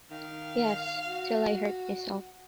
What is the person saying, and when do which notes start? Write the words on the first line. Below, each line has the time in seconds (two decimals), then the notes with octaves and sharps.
Yes, till I hurt myself.
0.11 D#3 F5
1.08 F#4